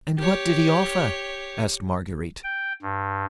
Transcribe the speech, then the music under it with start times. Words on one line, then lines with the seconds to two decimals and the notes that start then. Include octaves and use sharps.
"And what did he offer?" asked Marguerite.
0.18 G4 C#5
2.44 G5
2.82 G2